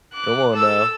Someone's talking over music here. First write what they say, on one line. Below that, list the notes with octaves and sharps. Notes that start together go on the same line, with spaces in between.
Come on, now.
D6 F#6
A4 E6